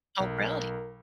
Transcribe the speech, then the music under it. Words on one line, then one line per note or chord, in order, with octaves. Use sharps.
Oh, really?
B1 A#4